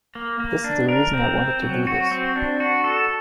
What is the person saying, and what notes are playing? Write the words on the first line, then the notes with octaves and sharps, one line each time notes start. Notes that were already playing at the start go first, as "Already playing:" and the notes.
This is the reason I wanted to do this.
A#3
A#3
D4
A#4
C4
C4
F#3
F#4
C4
D4
F#4
A4